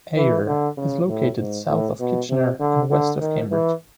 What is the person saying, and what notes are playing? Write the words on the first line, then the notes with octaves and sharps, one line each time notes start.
Ayr is located south of Kitchener and west of Cambridge.
E3
D3
C#3
A2
G#2
A2
B2
C3
D3
D3
D#3
E3